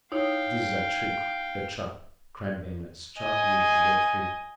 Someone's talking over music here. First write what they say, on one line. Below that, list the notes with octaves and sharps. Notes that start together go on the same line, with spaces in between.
"This is a trick--a trap!" cried Bernard, struggling to get free.
D#4 E4 C#5 F5 G5
D#5 G#5